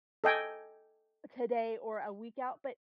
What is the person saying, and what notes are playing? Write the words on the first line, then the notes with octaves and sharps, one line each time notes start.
today or a week out. But
A4 D#5 G5 G#5